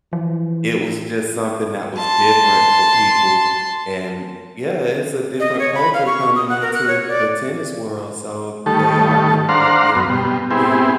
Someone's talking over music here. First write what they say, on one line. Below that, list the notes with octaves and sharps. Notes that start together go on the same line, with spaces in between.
it was just something that was different for people. And, yeah, it's a different culture coming into the tennis world, so they are gonna look different. And,
E3 F3
A5 C6
D#5
C#5
B5
F5
C#6
D#6
F#5
A#4
F#6
C#5
D5
D#3 G3 A3 A4
D4 C5 F5 F#5 A#5 C6
F#2 B3
B2 G3
B3 C4 E4 G4 G#4